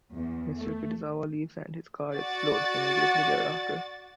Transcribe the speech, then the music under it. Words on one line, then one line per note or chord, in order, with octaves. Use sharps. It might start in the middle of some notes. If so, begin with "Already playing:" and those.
Mister Kitazawa leaves and his car explodes immediately thereafter.
E2
A3
F#4 D5 A6